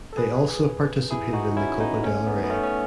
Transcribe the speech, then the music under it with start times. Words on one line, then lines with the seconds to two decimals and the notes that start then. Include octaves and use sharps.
They also participated in the Copa del Rey.
0.13 A4
0.17 G#4 B4
1.11 E4 G#4
1.33 D#4 F#4
1.57 C#4 E4
1.80 B3 D#4
2.03 A3 C#4
2.27 B3 D#4
2.44 B3
2.50 A3 C#4
2.63 C#4